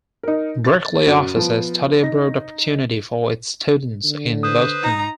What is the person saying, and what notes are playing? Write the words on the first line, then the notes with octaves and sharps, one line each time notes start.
Berklee offers a study abroad opportunity for its students in Boston.
D#4 A#4
A6
F#2 F#5 D7 D#7
F3 B3
D#4 A#6
D3
B4 C5 D#6
D#4 A#5